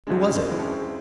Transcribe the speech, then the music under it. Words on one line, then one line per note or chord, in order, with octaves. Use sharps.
"Who was it?"
F2 C3 E3 G#3 D4
C#4
C4
F2 C3 E3 G#3 C4
C#4
C4